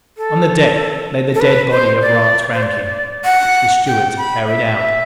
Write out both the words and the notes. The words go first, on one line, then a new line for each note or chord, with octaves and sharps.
On the deck lay the dead body of Rance Rankin, which the stewards had carried out.
A4
A4
B4
C5
D5
C5
D5
F#5
G5
B5
E5